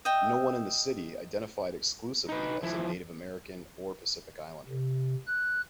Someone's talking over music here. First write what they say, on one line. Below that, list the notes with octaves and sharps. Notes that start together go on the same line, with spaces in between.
No one in the city identified exclusively as a Native American or Pacific Islander.
D#5 E5 G5
D#4 B4
F3 E4
C3
F#6